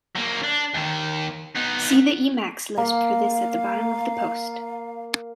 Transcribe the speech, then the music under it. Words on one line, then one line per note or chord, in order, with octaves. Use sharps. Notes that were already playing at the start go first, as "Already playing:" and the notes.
See the Emacs lisp for this at the bottom of the post.
F#3 A#3
D4
D#2 D#3
B3 D#4
A#3 F5